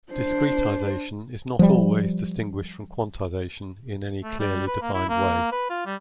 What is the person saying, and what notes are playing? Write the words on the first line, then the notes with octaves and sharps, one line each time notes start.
Discretization is not always distinguished from quantization in any clearly defined way.
D4 C5
F3 G3
A3
G3
B4
A#3
E4
A#3
B4
F4
G3